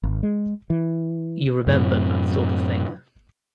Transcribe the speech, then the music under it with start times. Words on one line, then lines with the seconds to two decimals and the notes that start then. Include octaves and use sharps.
You remember that sort of thing.
0.03 G#1
0.23 G#3
0.70 E3
1.67 F#2 A2 C3